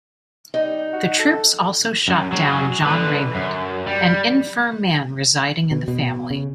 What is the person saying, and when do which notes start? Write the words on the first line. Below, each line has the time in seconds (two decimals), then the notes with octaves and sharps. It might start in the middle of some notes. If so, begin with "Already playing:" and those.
The troops also shot down John Raymond, an infirm man residing in the family.
0.54 G3 D#4
0.93 F#4
1.19 A4
2.08 F#2
2.32 F#3 G#4
2.82 D3 B4
3.35 F#2
3.87 G3
5.71 B2
5.88 B2
6.31 C#3